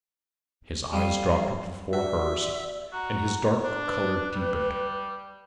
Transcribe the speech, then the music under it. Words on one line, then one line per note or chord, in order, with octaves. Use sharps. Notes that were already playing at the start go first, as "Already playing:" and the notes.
His eyes dropped before hers, and his dark color deepened.
G3 F5 D#6
F#4 D5 E5
F#4 A#5
D4
B4
G3